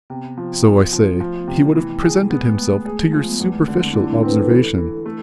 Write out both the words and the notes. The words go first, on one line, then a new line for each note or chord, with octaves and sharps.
So, I say, he would have presented himself to your superficial observation.
C3 B3
F3
F3
F3
F3 A3
B3
C3
A3
E3
G#4
G#3 B3
A3 B3
A3 G#4
G#3
F3 A3
B3
G#3
E2 A3
G#3
D3
C4
E4
D3 D4
E4
D4
C4 B4
A4
E3 A4
E3
A3